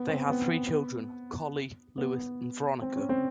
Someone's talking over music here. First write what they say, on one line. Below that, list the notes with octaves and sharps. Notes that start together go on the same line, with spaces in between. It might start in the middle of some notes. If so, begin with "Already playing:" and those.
They had three children: Colley, Lewis and Veronica.
Already playing: B3
C4
B3
B3
C4
C#4
C4